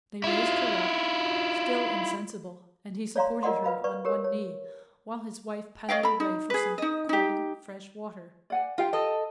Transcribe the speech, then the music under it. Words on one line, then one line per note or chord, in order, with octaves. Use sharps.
They raised her up, still insensible, and he supported her on one knee, while his wife pattered away for some cold fresh water.
E4 F4
C#5 D5 F5 A#5 C6
F4 A#4 D5 D#5 F#5 C6
B4 F5 B5
B4 D5 C#6
G4 A#4 C#5
C#5
C#5 D#5 F5 G5
A4 B5
D#4
G#4 B4
D#4 D#5
D#4 G4
D5 F#5 G#5
F4 G4 F5 G5
A4 D#5